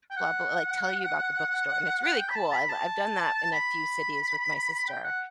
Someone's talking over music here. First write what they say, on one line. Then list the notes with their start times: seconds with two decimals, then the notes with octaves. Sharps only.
blah, blah, like, tell you about the bookstore, and it's really cool. I l I've done that in a few cities with my sister,
0.11 G5
0.17 F#5
2.18 G5
2.29 B5
2.35 A5
2.52 B5
2.69 A5
3.52 B5
4.88 G5
5.04 F#5